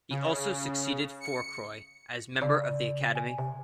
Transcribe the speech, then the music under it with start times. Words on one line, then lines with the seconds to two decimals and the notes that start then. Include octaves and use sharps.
He also succeeded Fourcroy as member of the Academy.
0.10 C#3
1.21 C#7
2.42 C#3 D5
3.15 G#5
3.39 C3